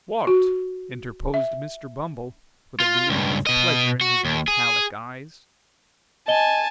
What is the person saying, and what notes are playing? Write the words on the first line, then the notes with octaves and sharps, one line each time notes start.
What?' interposed Mr. Bumble: with a gleam of pleasure in his metallic eyes.
F#4
E5
F4
C#2 G2
B2 D#5
F#4
D#2
G#4
D#5 G#5 A5 G7